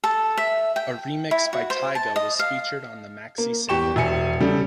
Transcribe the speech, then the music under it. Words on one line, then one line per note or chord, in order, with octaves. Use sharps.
A remix by Tiga was featured on the maxi-single.
A4
E5
G5
E4
F#4
C5
A5
D#5
F5
A#3
E2 G4 G5 C#6 E7
E1 E5 G#5 C#7
C#3 G3 A4